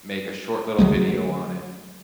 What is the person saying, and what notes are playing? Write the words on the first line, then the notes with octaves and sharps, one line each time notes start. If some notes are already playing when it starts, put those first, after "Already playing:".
make a short little video on it.
D3 F#3 G#3 A3